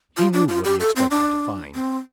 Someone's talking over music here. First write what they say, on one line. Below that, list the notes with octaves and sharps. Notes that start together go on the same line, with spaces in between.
He knew what he expected to find.
F4
D4
F4
G4
A4
C4
D4
C4